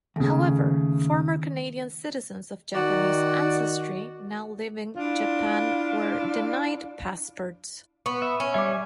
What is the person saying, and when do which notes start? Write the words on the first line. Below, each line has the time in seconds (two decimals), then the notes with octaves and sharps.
However, former Canadian citizens of Japanese ancestry now living Japan were denied passports.
0.16 D#2 C#3 A3
2.74 D#3 F#4 D5
4.97 D4 E4 F4
8.06 B3 C#6
8.22 E5
8.40 C#4
8.54 G3 E5 G#5 D6